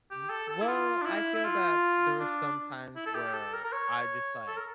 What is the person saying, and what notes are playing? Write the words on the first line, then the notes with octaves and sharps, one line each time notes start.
W well, I feel that there were some times where I just, like,
G4
A4
A4
E4
F4
D4
E4
E4
F4
D4
E4
A4
G4
A4
A#4
A#4
C#5
A4
A#4